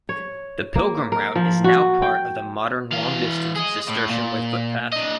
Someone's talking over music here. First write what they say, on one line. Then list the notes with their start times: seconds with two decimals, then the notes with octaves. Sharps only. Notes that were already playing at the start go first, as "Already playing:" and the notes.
The pilgrim route is now part of the modern long distance Cistercian Way footpath.
0.09 C#5
0.75 A#3
1.12 A#4
1.35 F3
1.64 F#4
2.02 G5
2.92 E3 F5
3.56 G#4 D#5
3.88 A2
4.10 A#2
4.93 D4 D#5